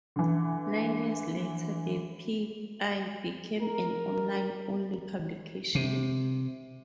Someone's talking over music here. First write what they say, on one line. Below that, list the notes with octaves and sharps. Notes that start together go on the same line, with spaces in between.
Nine years later, the "P-I" became an online-only publication.
D3 E3
A#4
C3